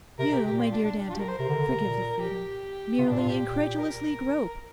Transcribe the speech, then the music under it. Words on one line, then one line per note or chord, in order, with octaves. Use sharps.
You, my dear Danton, forgive the freedom, merely incredulously grope.
C3 A#4
C3 G4
A#2 G4
F4
D4
D4
D4
F4
G4
A#4
C5
C3 A#4
D3
D3
C3
A#2
G4
C3 F4
A#2 D4
F4
A#2
G4
A#2
A#4